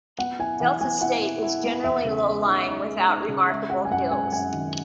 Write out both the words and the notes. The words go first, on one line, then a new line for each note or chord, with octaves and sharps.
Delta State is generally low-lying without remarkable hills.
B3 F#5
E4 G#5
E3 F#5
B3 G#5
E4 F#5
E4
E4
B3
E2 E5
C#3
G#3
D#4
D#4 D#5
G#3
D#4
C#3
G#3 E5
G#3 F#5
G#5
F#2 F#5
G#3 G#5
F#2 G#5
D#3